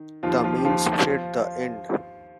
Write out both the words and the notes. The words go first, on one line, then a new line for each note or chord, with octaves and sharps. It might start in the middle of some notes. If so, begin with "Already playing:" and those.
The means fit the end.
Already playing: D#3
D#2 D#3 F3 F4
F3 F4
G4
D#2 D#3 F3 F4
F3